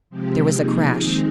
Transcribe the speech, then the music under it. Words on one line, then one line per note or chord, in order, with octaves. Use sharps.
There was a crash!
C3 F3 G#3 C4 G4
C3 F3 A#3 D#4 G#4
D#3 G#3 C4 D#4 G#4